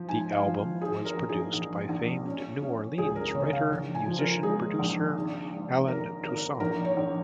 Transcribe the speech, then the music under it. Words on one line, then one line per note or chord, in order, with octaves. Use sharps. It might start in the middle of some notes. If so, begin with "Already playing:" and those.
The album was produced by famed New Orleans writer-musician-producer Allen Toussaint.
Already playing: F3
G#2 G#5
F5
F3
D#3 G#4
A#4
A#1
G#4
A#1
A#1
C#4
C#4
C#2 G#4
A#4
C#3 C#5
F5
A#1
G#5
F3
A#4
G#3 G#4
A#1
G#1
G#2
G#1 A#4
G#1 A#4
A#1 A#4
C#5
A#1